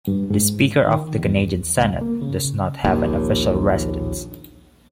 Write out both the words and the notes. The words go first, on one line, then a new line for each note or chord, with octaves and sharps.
The Speaker of the Canadian Senate does not have an official residence.
G2
G#2
D#3
E2
C#2
A#3
C#3
A#1 D#2